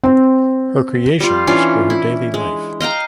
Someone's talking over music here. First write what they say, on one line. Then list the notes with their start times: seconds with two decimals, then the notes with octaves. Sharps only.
Her creations were her daily life.
0.04 C4
1.20 G3 F4
1.47 E3 C#4 D4 F4
1.90 E4
2.34 G#3
2.80 D#5 F5 G5 A#5